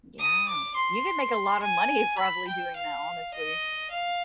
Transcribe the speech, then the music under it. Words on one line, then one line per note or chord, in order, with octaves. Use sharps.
Yeah. You can make a lotta money probably doing that, honestly.
D#6
D6
C6
G#5
B5
G5
F5
D#5
F5